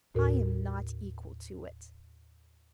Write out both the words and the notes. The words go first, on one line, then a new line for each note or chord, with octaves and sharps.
I am not equal to it.
D#2 A2 F#4 A#4